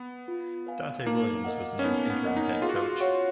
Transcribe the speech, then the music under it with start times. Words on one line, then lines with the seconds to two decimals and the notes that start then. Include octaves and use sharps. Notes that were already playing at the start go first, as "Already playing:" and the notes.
Donte Williams was named interim head coach.
Already playing: B3
0.28 F4
0.67 B4 F5 G#5
1.06 A#3 D#4
1.44 A#4 D#5 F#5
1.79 C#4
1.84 B3 D#4
2.10 B3
2.23 A#4 D#5 F#5
2.37 D#4
2.62 F4 G#4
2.69 F#4
2.76 F4
3.00 F#4 C#5 F#5